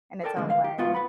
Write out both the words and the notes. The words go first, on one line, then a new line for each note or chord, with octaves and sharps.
in its own way.
A4 A#4 D5 G5 A5
B2 D3 D#3 F3 G#3 A#3
F5
G4
G#2 B3 F4 F#4
B4 F#5 B5